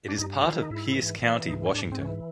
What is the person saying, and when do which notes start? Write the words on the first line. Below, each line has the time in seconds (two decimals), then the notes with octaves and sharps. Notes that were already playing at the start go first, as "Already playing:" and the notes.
It is part of Pierce County, Washington.
0.08 D4
0.19 G2 D#4
0.44 D#3 F4
0.53 E4
0.62 D#4
0.70 G#2 E4
0.96 E3
1.22 E3
1.47 G#2 D#4
1.66 C#4
1.73 G#2 D4
1.92 C4
1.98 E3 C#4